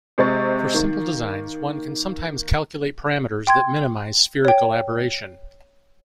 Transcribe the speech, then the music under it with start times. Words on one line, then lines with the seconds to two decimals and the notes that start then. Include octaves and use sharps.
For simple designs one can sometimes calculate parameters that minimize spherical aberration.
0.18 C3 G#3 C4 D#5 C#6 A6
0.74 D#3 A#3
3.47 G5 C6 G#6
4.45 C#5 G5